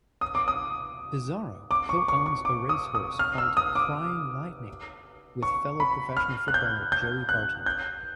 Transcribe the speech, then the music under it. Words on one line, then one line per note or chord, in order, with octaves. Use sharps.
Pizarro co-owns a race horse called 'Crying Lightning' with fellow professional footballer Joey Barton.
D#6
D6
D#6
D6
C#6
C#6
C#6
D6
D#6
D#6
F6
E6
D#6
D6
C#6
B5
F6
F#6
G6
G6
F#6
G6